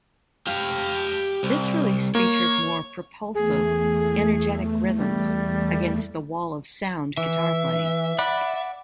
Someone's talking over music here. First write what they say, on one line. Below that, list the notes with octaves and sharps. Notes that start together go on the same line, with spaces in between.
This release featured more propulsive, energetic rhythms against the "wall of sound" guitar playing.
G4 F5
C2
A#3 C#5
E2 A3 G#4
G3
E3 E5
D5 F#5 B5